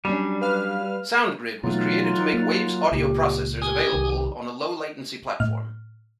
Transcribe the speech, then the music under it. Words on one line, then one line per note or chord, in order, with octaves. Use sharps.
SoundGrid was created to make Waves audio processors available on a low-latency platform.
F#3 G3 C#4 D4
B4 F5 F6
B2 E3 F#3 A3 D#4 F4
A#3
C#2 A#2 G4
G4 G#5 D#6
C2 D#3
A2 F6